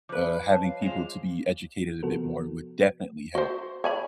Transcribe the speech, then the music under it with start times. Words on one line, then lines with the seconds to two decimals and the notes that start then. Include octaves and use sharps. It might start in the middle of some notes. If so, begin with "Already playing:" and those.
uh, having people to be educated a bit more would definitely help.
0.09 F3 B4 C5 D6
0.47 C#5 D#5 A5
0.63 F5
0.82 G#3 F4 C5 F5 G#5 F7
2.03 C3 F3 B3 F#4 A4 A#4
3.35 F#4 C5
3.84 C#5 G#5 B5